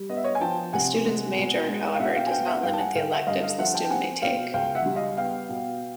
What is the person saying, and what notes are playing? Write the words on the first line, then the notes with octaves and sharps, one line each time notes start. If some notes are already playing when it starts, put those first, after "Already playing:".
A student's major, however, does not limit the electives the student may take.
Already playing: G3
B3 D#5
E5
C#5 D#5
G#5
F3 G5 A5
C3 F#5 G#5
G#3
B2
G#3
F5
B2 E5 F#5
F5 G5
G#5
B3 F5 G5
E5 F#5
G2 F5 G5
A5
F#5 G#5
D3 F5 G5
E5 F#5
G2 D#5 F5
D#5 F5
F3 E5 F#5
G5 A5
G5
C4 F#5 G#5
B2 F5 G5
C#2 F5 G5
E5 F#5
G3
D#5 F5
B3 F5 G5
B2